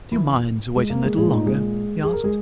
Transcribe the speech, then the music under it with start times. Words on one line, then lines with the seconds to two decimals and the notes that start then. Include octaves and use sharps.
"Do you mind waiting a little longer?" he asked.
0.12 E3 E4
0.75 G#3 G#4
0.90 A#3 A#4
1.04 G#3 G#4
1.18 A#2 G#3 G#4
1.32 D#4
1.46 G#3 G#4
2.04 G#4
2.13 A#4
2.23 G#3 G#4